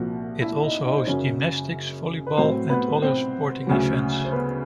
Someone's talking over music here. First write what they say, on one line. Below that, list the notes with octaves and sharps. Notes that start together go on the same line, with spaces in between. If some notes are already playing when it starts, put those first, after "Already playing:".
It also hosts gymnastics, volleyball, and other sporting events.
Already playing: C2 A#2 F3 F#4
E4 E5
D#4 D#5
D#4 D#5
C5
F#2 C#3 F#3 C#4 C#5
B4
A2 F#3 C4 C5
B3 B4
C4 C5
D2 C#3 F#3
C5
B3 B4